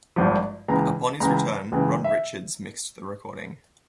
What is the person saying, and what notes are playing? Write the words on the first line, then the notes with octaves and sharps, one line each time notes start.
Upon his return, Ron Richards mixed the recording.
G#1 G2 F3
C#2 C#3 E3 A#5
C#2 C#3 E3 A#5
C#2 C#3 E3
E5